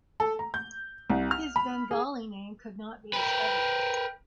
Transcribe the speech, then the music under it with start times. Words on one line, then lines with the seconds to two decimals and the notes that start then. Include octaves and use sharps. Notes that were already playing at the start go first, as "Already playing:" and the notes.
His Bengali name could not be discovered.
0.20 A4
0.39 A#5
0.54 G6
1.10 C2
1.31 F6
1.56 B5
1.91 G#4
3.13 A#4 B4 G5